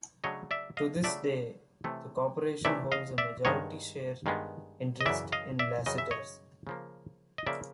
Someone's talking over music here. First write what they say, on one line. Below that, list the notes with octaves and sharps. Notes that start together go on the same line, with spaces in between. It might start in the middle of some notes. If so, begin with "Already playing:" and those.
To this day, the Corporation holds a majority share interest in Lassiter's.
C#3 F#3 A3 D4 C#5 D#5
D5 E5
D#5 F5
C#3 F#3 A3 D4 D5 E5
C3 E3 A3 C#4
C3 E3 A3 C#4 D5 E5
D#5 F5
D5 E5
G2 D#3 G#3 B3 C#5 D#5
G2 D#3 G#3 B3
D#5
F#2 C#3 E3 D5 E5
D#5 F5
D5 E5
F#2 C#3 E3 D#5
E5
C#5 D#5
C#3 F3 A#3
D#5
C#3 F3 A#3 D5 E5